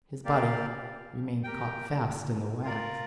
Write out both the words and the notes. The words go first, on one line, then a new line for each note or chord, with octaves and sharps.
His body remained caught fast in the wax.
A#3 G4 D5 F5
G4 A#4 G5
F4 A#4 D5